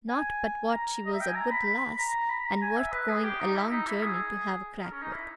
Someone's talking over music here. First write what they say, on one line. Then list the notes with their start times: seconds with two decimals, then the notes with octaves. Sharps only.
Not but what she was a good lass, and worth going a long journey to have a crack with.
0.09 G#5
0.72 A#5
1.06 D#5
1.13 E5
1.21 G5
1.28 G#5
1.35 A#5
1.51 B5
1.66 B5
1.98 A#5
2.30 B5
2.46 A#5
2.62 G#5
2.77 E5
2.92 B4
3.09 G#4
3.24 G4
3.40 D#4
3.56 E4
3.71 D#4
3.87 E4
4.03 G#4
4.82 A#4
4.92 C#4
5.02 D#4
5.13 E4